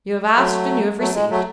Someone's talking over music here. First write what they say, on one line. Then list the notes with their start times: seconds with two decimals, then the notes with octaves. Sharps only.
You have asked, and you have received.
0.37 F#3 A3
0.99 F#3 A3
1.14 G#3
1.30 F#3 A3